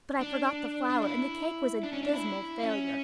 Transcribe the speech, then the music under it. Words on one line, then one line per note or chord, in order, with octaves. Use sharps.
But I forgot the flour and the cake was a dismal failure.
D4
D4
E4
D4
C#4
D4
E4
C#4